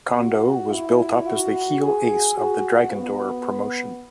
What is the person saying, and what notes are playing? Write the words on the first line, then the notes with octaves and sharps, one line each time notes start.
Kondo was built up as the heel ace of the Dragondoor promotion.
F#4
E4
F#4
G#4
F#4
B3